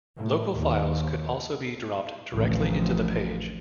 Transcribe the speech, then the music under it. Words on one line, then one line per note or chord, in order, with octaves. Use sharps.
Local files could also be dropped directly into the page.
A2
D#2
A1 D2 F3